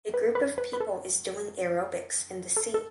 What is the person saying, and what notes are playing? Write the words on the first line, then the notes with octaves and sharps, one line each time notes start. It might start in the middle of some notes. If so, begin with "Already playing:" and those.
A group of people is doing aerobics in the sea.
B4
B4
B4
B4
A4
A4
A4